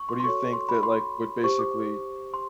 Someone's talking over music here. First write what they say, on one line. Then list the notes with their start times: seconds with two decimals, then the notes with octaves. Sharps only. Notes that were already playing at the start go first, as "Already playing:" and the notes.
What do you think that, like, would basically
Already playing: C#6
0.09 C6
0.20 C6
0.23 F#4 A4 C#5 C#6
0.53 C6
0.69 B5
0.83 C6
1.43 G4 C5 C#6
1.59 D6
2.34 C6